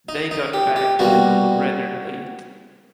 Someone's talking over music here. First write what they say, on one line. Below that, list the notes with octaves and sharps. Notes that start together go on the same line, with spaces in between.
They got back rather late.
D#4
D#4
G4
G4
C2 B2 G3 A#3 F#4